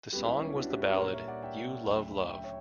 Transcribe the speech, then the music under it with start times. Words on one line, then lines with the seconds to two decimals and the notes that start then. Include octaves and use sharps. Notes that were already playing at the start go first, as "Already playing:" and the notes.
The song was the ballad "You Love Love".
0.12 C#2 B2 G3 G4 B4
0.27 E4 G4
0.41 C#4 E4
0.56 D4 F#4
0.70 E4 G4
0.80 B4
0.84 F#4 A#4
0.99 A#2 G3 A#4 C#5
1.13 C#5 E5
1.28 D5 F#5
1.42 E5 G5
1.86 D2 C#3 F#3
2.30 E5 G5
2.43 C#5 E5